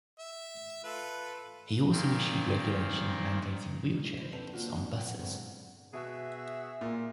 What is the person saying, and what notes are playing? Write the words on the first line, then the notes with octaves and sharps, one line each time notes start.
He also issued regulations mandating wheelchair lifts on buses.
E5
F4 A4 B4
A#2 D#3 C4
E4 F4 C5
D2 D#3 C4 B4 E5 A5
A#3 C4 D4 F4 F#4
B3 F5 G5
G2 D3 F#3 G#3 C4 E4
B2 F#4 G#4 E5
A#2